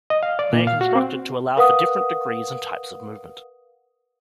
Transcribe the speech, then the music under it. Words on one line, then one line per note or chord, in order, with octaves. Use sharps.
They are constructed to allow for different degrees and types of movement.
D#5
F5
D5
A#2
F5
F#4
C4
A#4 B4 F5 F#5 D#6